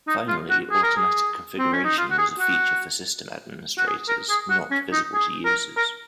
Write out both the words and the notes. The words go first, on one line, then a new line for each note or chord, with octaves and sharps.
Finally, automatic configuration was a feature for system administrators, not visible to users.
D#4
F4
F#4
G#4
A#4
G#4
C4
C#4
D#4
F4
F#4
G#4
F#4
F#4
G#4
A#4
G#4
F#4
C#4
D#4
G#4
A#4
A#4